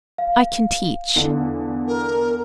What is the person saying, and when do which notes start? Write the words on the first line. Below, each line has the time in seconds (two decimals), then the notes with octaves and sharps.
I can teach.
0.18 F5
1.16 E2 D3
1.87 A#4